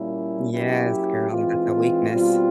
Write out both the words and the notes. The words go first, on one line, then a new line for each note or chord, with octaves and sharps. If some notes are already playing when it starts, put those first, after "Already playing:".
Yes, girl, that's a weakness.
Already playing: A#2 G3 A#3 C#4 E4
F#3 A#3 C#4 E4 G4
E3 G#3 C4 F4
B2 G3 C4 F4